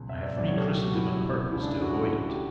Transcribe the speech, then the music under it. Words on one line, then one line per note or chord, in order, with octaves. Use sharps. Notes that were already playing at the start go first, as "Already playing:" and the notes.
I have re-christened him on purpose to avoid it.
Already playing: C#2 B2 F#3
E5
D5
C#2 B2 F#3 D5
C#5
G4
A4
G4
F#4
E4
C#2 C#3 E3 E4
D4
E4
F#4
G4